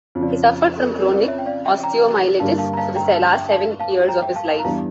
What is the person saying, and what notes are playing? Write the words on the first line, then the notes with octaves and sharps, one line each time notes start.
He suffered from chronic osteomyelitis for the last seven years of his life.
F2 C#3 F3 C#5 D5
C#5
A4
A#4
A#4 D5
A#4 D5
C#5 E5
G5
D5 F5
E5 G5
G5 A#5
G2 D3 G3 A#3 F5 A5
F5 A5
A#5
F5 A5
G5 A#5
F5 A5
E5 G5
F5 A5
F5 A5
G5 A#5
E5 G5
F5 A5
F5 A5
A#5
E2 E3 G3 D4 F5 A5